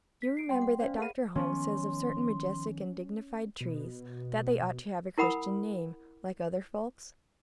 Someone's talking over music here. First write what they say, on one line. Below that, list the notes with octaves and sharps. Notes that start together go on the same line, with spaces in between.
You remember that Dr. Holmes says of certain majestic and dignified trees that they ought to have a Christian name, like other folks?
B6
C7 D7
G3 G5 C6
F#5
C#4 C5 D5 F5
G#4 A#4 F5 F#5 B5 D#7
D#3 F3 B3 C#4 C6
B2
E4 A#4 F#5 B5 D#6